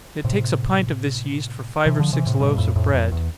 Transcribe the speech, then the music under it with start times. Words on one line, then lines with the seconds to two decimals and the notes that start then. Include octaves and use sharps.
It takes a pint of this yeast for five or six loaves of bread.
0.24 A2 C3
1.86 C3 E3
1.99 D3 F3
2.13 C3 E3
2.26 A2 C3
2.40 G2 B2
2.57 F2 A2
2.76 F2 A2
2.94 F2
3.12 E2